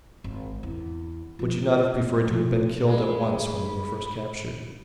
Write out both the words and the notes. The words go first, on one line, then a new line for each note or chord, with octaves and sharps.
Would you not have preferred to have been killed at once when you were first captured?
G#1
E2
F3 A#3
B2 F3
G#3 B5